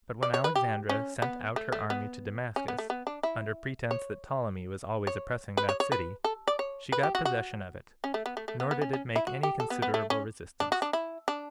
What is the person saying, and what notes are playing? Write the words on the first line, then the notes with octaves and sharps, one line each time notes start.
But when Alexandra sent out her army to Damascus, under pretense that Ptolemy was always oppressing that city, she got possession of it; nor did it make any considerable resistance.
D5
C#5
B4
G4
C#4
B3
A3
A3
B3
C#4
B3
A3
B3
D4
E4
C#5
C#5
B4
C#5
C#5
B4
A4
D5
C#5
B4
G4
F#4
F#4
C#4
A3
B3
A3
A3
B3
B3
C#4
C#4
E4
F#4
G4
A4
B3
B3
A3
C#4
D4
F#4
D4
E4
D4